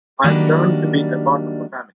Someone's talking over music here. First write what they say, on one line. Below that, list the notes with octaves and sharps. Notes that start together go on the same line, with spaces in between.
I've learnt to be a part of the family.
D#3 F#3 G3 A#3 D4